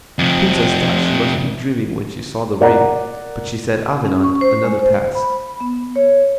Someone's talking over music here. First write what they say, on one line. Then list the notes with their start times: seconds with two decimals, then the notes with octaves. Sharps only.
The Princess thought she must be dreaming when she saw the ring, but she set Avenant another task.
0.19 F2 C3
2.61 A#4 D5 F#5 A#5
4.05 C#4
4.24 C#6
4.41 C5
4.64 G#3
4.79 C5
5.15 B5
5.60 B3
5.96 C#5